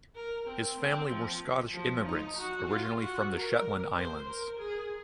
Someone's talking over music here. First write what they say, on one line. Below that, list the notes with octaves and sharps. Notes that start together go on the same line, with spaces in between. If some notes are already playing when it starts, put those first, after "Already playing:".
His family were Scottish immigrants, originally from the Shetland Islands.
A#4
C4
C4
F3
F3
D#4
F#4
F4
F#4
A#4
C5
A#4
G#4